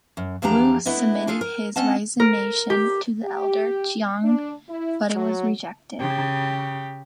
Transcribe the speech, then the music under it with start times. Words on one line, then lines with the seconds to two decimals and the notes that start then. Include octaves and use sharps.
Wu submitted his resignation to the elder Chiang but it was rejected.
0.17 F#2
0.42 E2 F3 G3 D4 G4 A#5
0.86 A3 B3 D4 E4 D#5
1.27 D4 F4 G#4 A4
1.41 A#4
1.76 C4 C#4 D#5 F#5 A5
2.20 A#4
2.70 G4
3.24 G4
4.23 D4
4.69 E4
5.15 F#3
5.99 C#3 G4